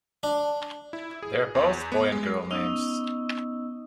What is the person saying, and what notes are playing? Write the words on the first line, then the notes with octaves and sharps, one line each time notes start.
They are both boy and girl names.
D4
E4
G#4
E2
B3
G#3
B3 C#4 D#4 D#5 D#6 E6